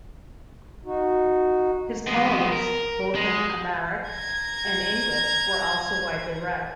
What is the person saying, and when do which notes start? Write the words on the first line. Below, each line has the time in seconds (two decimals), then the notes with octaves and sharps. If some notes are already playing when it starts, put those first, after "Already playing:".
His poems, both in Amharic and English, were also widely read.
0.85 D#4 F#4
2.07 G#3 B3
2.52 A#4
3.15 G#3
4.09 A#5 G#6